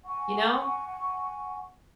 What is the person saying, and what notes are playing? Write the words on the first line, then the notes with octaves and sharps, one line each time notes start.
you know,
F#5 G#5 C#6